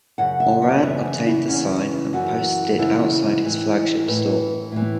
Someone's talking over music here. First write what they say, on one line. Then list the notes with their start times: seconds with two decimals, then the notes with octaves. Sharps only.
Mauran obtained the sign and posted it outside his flagship store.
0.18 F#2 C#3 F#5
0.40 E5
0.62 C#5
0.83 F#2 C#3 E3 E5
1.05 E5
1.26 E4
1.48 E2 C#3 E3 C#4
2.13 F#2 E3 F#4
2.78 F#2 C#3 E3 E4
3.42 A2 E3
4.08 A2 E3 B4
4.72 A2 E3